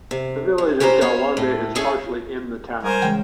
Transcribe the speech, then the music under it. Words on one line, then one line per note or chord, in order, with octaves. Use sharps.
The village of Gowanda is partially in the town.
C3
F#2
C#4 G4 B4 C5 A#5
B3 C5 C#5 F5
A2
A3 C#4 F4 G#4 A4
F4
G3 A#4 C5 G#5 A#5
C#3 E3 G#3 G5